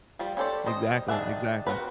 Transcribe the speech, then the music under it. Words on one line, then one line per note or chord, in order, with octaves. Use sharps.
Exactly, exactly.
F3 G3 D5
C#4 G4 A4 C5 D5
G3 C5 D#5
D#3 D4 G#4 E5 F#5
C4 F#4 A#4 B4